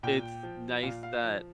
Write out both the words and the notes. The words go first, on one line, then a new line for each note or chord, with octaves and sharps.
it's nice that
A#2 G5
F3
A#2 F5
F5
F3